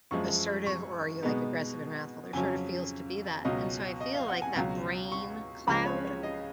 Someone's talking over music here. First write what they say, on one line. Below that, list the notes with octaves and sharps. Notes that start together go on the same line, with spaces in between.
assertive or are you, like, aggressive and wrathful? There sort of feels to be that. And so I feel like that brain cloud,
F#2 F3 G#3 C#6
C#6
B2 G#3 B3 D#4
F2 C#3 F#3 C#4 G#5
C#2 B2 F#3 C#4 D#5
D#5
F5
F#5
G#5
C#2 B2 F#3 A#5
C#6
C#2 C#3 F3 G#3 B5
C#5
C#5
D#5